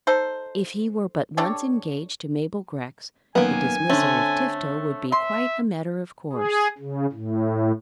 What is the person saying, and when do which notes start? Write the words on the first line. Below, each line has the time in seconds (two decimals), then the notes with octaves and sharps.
If he were but once engaged to Mabel Grex the dismissal of Tifto would be quite a matter of course.
0.07 D#4 A4 C5
1.37 D4 G4 A4 C#5
3.35 F#2 D#3 A#3 B3 G#5
3.89 D3 A3 C4 C#4
5.12 E5 C6
6.33 G#4
6.78 C#3
7.12 A2